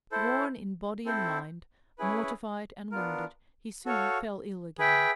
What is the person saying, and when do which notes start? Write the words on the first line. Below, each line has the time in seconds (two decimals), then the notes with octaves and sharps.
Worn in body and mind, mortified and wounded, he soon fell ill again.
0.12 E4 A4 C5
1.06 C4 E4 A4 C5
1.98 C#4 E4 G#4 B4
2.92 B3 D4 F4 A#4
3.85 F#4 A4 C#5 F5
4.79 G#4 B4 E5 G5